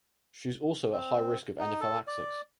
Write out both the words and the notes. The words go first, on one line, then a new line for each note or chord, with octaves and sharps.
She is also at high risk of anaphylaxis.
C4
D#4
A4
D5